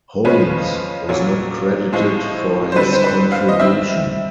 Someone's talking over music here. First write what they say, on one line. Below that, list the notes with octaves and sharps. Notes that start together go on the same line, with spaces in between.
Holmes was not credited for his contribution.
C#3 F3 G#3 C#4 B4
A#2 F#3 A#3 C#4
A2 F3 G#3 C4
C5
D3 G3 C4 B4
C5
B4
F5
D#5
D#3 G3 C4 E5